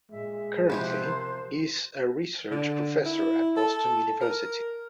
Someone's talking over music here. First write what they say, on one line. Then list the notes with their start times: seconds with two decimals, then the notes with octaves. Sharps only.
Currently, he is a research professor at Boston University.
0.11 A#2 G#3 E5
0.70 C3 F3 B3 E4 G4 C5
1.05 A#4
2.51 D3
3.06 E4
3.57 A4
4.21 A#4